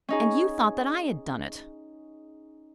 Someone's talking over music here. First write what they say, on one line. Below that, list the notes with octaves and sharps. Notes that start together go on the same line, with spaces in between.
And you thought that I had done it!
C#4 D#4 G#4